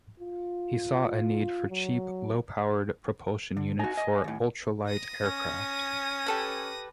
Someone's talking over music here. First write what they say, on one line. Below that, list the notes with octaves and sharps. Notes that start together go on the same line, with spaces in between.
He saw a need for a cheap low-powered propulsion unit for ultralight aircraft.
F4
F#3
D3
D#4 F#4 G#5
D#5
D#2 A2
D#6 A#6
C#4
G4 A4 B4